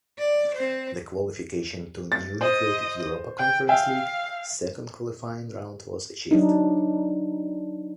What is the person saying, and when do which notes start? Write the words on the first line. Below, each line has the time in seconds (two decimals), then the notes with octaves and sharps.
The qualification to the newly created Europa Conference League second qualifying round was achieved.
0.19 D5
0.55 C4 C5
2.12 A6
2.41 C5 D#5
3.38 G5
3.69 E5 F5 G5 G#5
6.31 F#3 D4 D#4